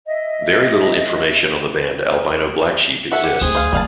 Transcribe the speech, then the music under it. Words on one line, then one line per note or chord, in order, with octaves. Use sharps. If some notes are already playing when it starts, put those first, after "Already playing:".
Very little information on the band Albino Blacksheep exists.
D#5 E5
F#4 A4 E5 F#5
G4
D2 C4 G#4
C5 F5
F3 G3 A#3 F5 A5